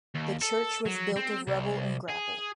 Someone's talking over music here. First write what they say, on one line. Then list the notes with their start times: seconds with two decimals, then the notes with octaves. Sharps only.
The church was built of rubble and gravel.
0.15 D#2
0.42 A4
0.86 F#3
1.16 C4
1.47 C2
2.10 G#4